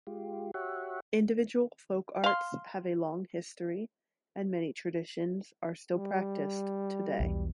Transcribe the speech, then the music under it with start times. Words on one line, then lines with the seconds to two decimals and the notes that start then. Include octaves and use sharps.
Individual folk arts have a long history, and many traditions are still practiced today.
0.07 G#3 F4 G4
0.54 F#4 G4 C#5 E5 F#5
2.24 F5 C6
5.94 G3
7.20 B1 E2 B2